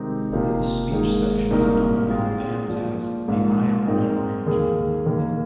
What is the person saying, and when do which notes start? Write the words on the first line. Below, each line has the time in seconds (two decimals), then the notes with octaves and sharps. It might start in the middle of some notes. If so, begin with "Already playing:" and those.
The speech section is known among fans as "the I Am One rant".
Already playing: C3 D#3 G#3 C4 D#4
0.32 C3 F3 A#3 D#4
0.91 G#2 D#3 A#3 D#4 G#4
1.51 C2 A#2 A#3 D#4 A#4
2.09 G#2 G#3 C4 F4 G#4
2.68 A#1 A#2 F3
3.28 A#1 G#2 F3 A#3 F4
3.87 G#2 G#3 C4 D#4 A#4
4.47 D#2 D#3 A#3 G#4
5.06 D#2 D#3 A#3